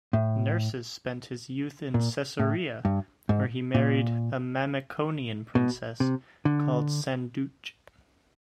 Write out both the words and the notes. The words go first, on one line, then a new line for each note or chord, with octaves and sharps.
Nerses spent his youth in Caesarea where he married a Mamikonian Princess called Sanducht.
A2
A#2
A2
G2
G#2
A#2
B2
C3
D3